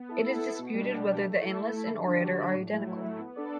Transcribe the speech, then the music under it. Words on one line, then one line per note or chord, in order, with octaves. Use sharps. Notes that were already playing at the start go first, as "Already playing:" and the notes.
It is disputed whether the annalist and orator are identical.
Already playing: B3
E4 A4
B3
E4 A4
B2
G3 D4
B2
G3 D4
A3
E4 A4
A3
E4 A4
D3
G3 D4 F#4
D3
G3 D4 F#4
A2
F#3 A3 E4
A2
F#3 A3 E4
B3
D4 A4 D5